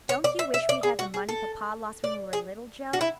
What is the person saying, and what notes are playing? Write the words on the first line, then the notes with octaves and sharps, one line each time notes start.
Don't you wish we had the money Papa lost when we were little, Jo?
C#5
D5
E5
E5
D5
G#4
F#4
G#4
A4
D5
G#4
F#4
E4